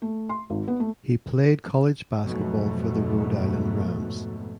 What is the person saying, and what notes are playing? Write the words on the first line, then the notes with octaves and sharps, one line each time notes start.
He played college basketball for the Rhode Island Rams.
A3
C6
G#1
B3
A3
F2 G#2 B2 F#3 A3